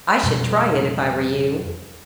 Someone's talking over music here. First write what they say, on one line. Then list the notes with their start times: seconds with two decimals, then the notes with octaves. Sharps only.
I should try it if I were you.
0.23 F2 B2 G3